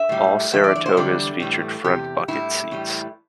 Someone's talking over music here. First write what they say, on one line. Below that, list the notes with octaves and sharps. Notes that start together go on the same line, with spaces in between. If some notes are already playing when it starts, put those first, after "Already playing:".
All Saratogas featured front bucket seats.
Already playing: E5
A2 G3
G2 E3 E5
D5
D5
C5
E2 D3 G3 D5
A2 E3 G3
E2 C3 G4
A2 G3 E4
A2 E3 G3